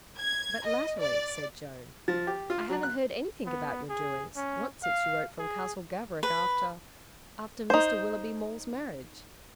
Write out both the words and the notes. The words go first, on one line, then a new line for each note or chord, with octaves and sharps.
'But latterly,' said Joan, 'I haven't heard anything about your doings--not since you wrote from Castle Gaverick after--after Mr Willoughby Maule's marriage?'
G#6
D#5
D5
F3
G4
F4
F#3
F#6
B3
G#4
C#4
F5
G#4
B4
D#4 C5